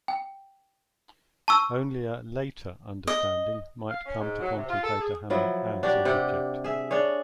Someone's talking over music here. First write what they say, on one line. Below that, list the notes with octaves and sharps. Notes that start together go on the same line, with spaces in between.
Only a "later" understanding might come to contemplate a hammer "as" an object.
G5
A5 C#6 E6
D#5
F5
C#4
G#2
F#3
C3
F4
A4
G#4
F3 F#3 E4
D4 F#4 G4
C3 G4 F#5
G#4 E5
D4 G#4 C#5